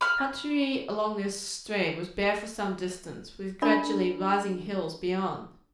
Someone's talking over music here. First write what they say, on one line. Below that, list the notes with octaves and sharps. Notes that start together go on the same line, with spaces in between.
The country along this stream was bare for some distance, with gradually rising hills beyond.
B5 F6
D4 A#4 D5 B5